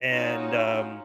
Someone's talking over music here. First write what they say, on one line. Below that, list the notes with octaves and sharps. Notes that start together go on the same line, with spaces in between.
and, um,
C#4 D#4 F4 F#4 C#5